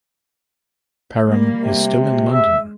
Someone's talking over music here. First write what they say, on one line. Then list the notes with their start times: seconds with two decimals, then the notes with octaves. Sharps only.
Param is still in London.
1.26 G3 A#3
1.59 C3
1.97 G#3
2.33 E5